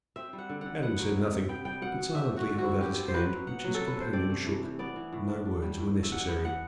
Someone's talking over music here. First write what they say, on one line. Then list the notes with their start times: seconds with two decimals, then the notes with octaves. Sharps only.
Adam said nothing, but silently held out his hand, which his companion shook: no words were necessary.
0.16 C4 E5
0.33 G3
0.38 F#5
0.49 D3
0.61 D3 F#5
0.82 B3 F#5
0.99 F#3
1.15 C3
1.32 C3
1.48 B3 G5
1.65 G3 G5
1.82 B2 F#5
1.98 B2
2.15 C4 E5
2.31 A3
2.37 F#4
2.48 D3
2.58 F#4
2.64 E4
2.81 E4 G4
2.98 C4
3.08 C5
3.14 F#3 B4
3.30 F#3
3.47 B3 F#5
3.64 F#3
3.75 A4
3.80 C3
3.87 B4
3.96 C3 C5
4.13 C4 D5
4.30 A3
4.46 E3
4.63 E3
4.79 B3 D5
4.96 E3
5.13 A2
5.29 D4
5.45 D4
5.62 G3
5.79 A2
5.95 A2
6.03 E5
6.12 D4 F#5
6.28 B3
6.45 E3 F#5